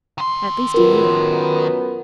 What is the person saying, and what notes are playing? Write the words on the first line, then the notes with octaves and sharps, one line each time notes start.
"At least a year."
D#3 C6
F#2 B3 F4 A#4 B4